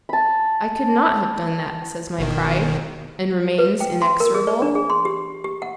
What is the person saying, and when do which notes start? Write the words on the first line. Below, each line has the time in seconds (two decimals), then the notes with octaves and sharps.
"I could not have done that," says my pride, and remains inexorable.
0.09 A5 B5
2.18 G1 B2 D#3
3.58 B4
3.80 G5
4.02 C6
4.20 A#4
4.34 G#4
4.47 D5
4.62 D4
4.75 G#4
4.90 C6
5.05 G4
5.44 G4
5.62 F#5